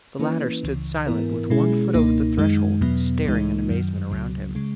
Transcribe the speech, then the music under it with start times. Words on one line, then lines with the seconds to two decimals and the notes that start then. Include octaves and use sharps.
The latter stood silent with one foot over the threshold, staring in amazement around him.
0.19 E3 A#3 C#4 E4 B4
0.63 C#2 C#3 E3
1.07 G#2 E3 B3 E4 A#4
1.50 B2 G#3 C#4 E4 G#4
1.94 C#2 B2 A#3 D#4
2.38 F#2 D#3 G#3 D#4
2.81 E2 B2 F#3 B3
3.25 C#2 C#3 E3 G#3 D#4
3.69 F#2 D#3 F#3
4.11 C#2 C#3 F#3
4.55 C#3 G#3